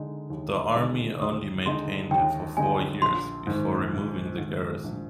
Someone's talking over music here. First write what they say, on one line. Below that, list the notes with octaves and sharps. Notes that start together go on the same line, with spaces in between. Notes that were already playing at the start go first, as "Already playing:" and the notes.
The army only maintained it for four years before removing the garrison.
Already playing: D3 G#3 D#4
D#2
D3 G#3 D#4
D#2 D#6
D3 G#3 D#4 C6
D#2 G5
D3 G#3 D#4 G#5
A#1 C6
G#2 D#3
A#1
G#2 D#3
A#1